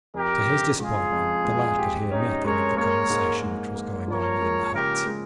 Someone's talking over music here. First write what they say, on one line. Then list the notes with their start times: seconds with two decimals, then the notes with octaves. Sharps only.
To his disappointment the lad could hear nothing of the conversation which was going on within the hut.
0.14 F2 G4 A#4
0.47 C#3
0.79 G#3 F4 G#4
1.13 F2
1.45 G#3
1.79 G4
2.11 C#4 D#4
2.44 G#3 A#4 C#5
2.77 A#3 A#4 C#5
3.09 G#2
3.43 G#2
3.75 A#3
4.08 F3 A#4 C#5
4.41 G#3
4.74 C#3 G4 A#4
5.06 G#3